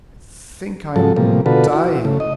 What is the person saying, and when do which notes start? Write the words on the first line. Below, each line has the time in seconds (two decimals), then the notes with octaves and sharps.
"I think I'm dying."
0.96 G#2 F3 F#3 A4
1.16 A2 C3 F3 G3 A#3
1.46 B2 D3 F4 F#4 A4 B4
1.73 E4 F#4
2.05 C#3 A3
2.20 D#5